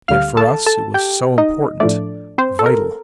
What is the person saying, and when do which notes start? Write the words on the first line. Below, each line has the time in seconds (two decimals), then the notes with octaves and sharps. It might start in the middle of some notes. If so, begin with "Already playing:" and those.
Yet for us, it was so important! Vital.
0.08 D2 D3 G3 F5 F6
0.37 A4 A5
0.66 A4 A5
0.94 G4 G5
1.38 D#4 D#5
1.80 A2 F3 A3 D4 D5
2.38 C4 C5
2.59 A4
2.66 A#4